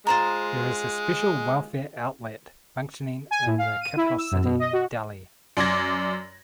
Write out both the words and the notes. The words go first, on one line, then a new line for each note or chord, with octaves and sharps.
There is a special welfare outlet functioning in the capital city, Delhi.
G#3 F4 C5 A#5
G#5
A2
F5
D#7
E4
E6
F#2
B2
D#5
F#4
F#2 D5 C6 D6 G#6 A#6